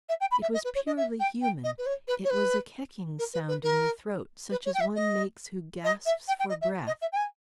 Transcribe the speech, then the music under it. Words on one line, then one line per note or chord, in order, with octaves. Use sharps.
It was purely human, it was a kecking sound in the throat, such as one makes who gasps for breath.
E5
G5
B5
E5
D#5
B4
C#5
D#5
E5
G5
G5
D#5
B4
C#5
B4
C#5
B4
A#4
B4
B4
A#4
B4
C#5
G5
E5
D#5
D#5
E5
G5
G5
D#5
E5
D#5
E5
G5
G#5